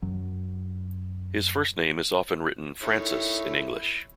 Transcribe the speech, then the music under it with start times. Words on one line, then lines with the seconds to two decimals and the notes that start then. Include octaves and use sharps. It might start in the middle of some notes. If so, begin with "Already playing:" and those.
His first name is often written 'Francis' in English.
0.02 F#2 F#3
2.82 D#3 A3 E4 C#5